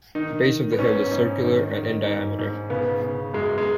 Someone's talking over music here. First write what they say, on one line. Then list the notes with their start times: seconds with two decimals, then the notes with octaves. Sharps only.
The base of the hill is circular and in diameter.
0.15 D#3 D#4
0.47 D#3
0.73 B3
0.79 G#2 C#4
1.11 G#2
1.43 D#3
1.75 D#3
2.06 G#2
2.38 G#2
2.70 C#3 B3
3.02 C#3
3.33 F#2 G#3
3.58 G#3